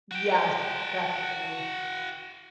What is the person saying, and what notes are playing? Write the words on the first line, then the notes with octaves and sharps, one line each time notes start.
Yes. Definitely.
F#4 G5